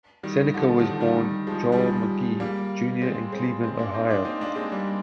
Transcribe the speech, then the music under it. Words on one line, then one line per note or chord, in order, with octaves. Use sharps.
Seneca was born Joel McGhee, Junior in Cleveland, Ohio.
D#3 G3
D3 F3
D#3
D#3
D3 F3
D#3 G3
D#3 G3
F3 G#3
G3
F3 G#3
G3 A#3
G#3 C4
G#3 C4
G#3 C4
A#3 D4
C4 D#4
A#3 D4
C4 D#4
A#3 D4
G#3 C4
G3 A#3